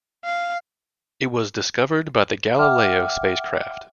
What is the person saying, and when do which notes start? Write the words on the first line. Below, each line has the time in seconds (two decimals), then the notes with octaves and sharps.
It was discovered by the "Galileo" spacecraft.
0.25 F5
2.59 E5 F#5 G5 D6 F6